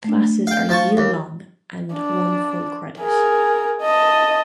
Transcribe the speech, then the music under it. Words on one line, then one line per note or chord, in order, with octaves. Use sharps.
Classes are year-long and one full credit.
A3 D4
F5 G5
F3 A5 C#6
D#2
D4
G#4 A#4
D#5 A5